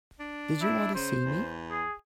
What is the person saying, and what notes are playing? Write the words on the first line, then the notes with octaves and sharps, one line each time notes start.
Did you want to see me?
D4
E4
C#3 C5
E2
G#4